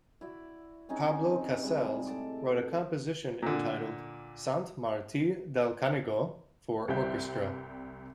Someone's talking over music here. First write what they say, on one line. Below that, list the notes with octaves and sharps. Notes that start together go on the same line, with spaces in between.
Pablo Casals wrote a composition entitled "Sant Marti Del Canigo" for Orchestra.
E4 F#4 D5 E5
C4 C#4 D#4 G#4
C3 G3 G#3
A2 A5 D6
A#2 D3
C2 G3 C5 E5 G5 G6